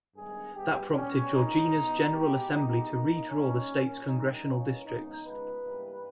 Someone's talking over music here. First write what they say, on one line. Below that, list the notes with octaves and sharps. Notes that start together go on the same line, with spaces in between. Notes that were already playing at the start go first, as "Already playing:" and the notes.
That prompted Georgia's General Assembly to re-draw the state's congressional districts.
G2 D#3 G#3 B3 G#4
G2 G3 B3 G4
B2 G3 B3 C#4
A#2 G#3 B3 D#4
E2 B2 G#3 B3
B2 G#3 B3 G4
G2 D#3 G#3 B3 D#4
A#2 A#3 D#4
D#2 D#3 G3 C#4
A#2 A#3
G2 D#3 G3 A#3 D#4
G2 E3 A#3 C#4
D#2 C#3 G#3 B3 D#4
C#2 C#3 G#3 B3 B4
G2 E3 G3 A#3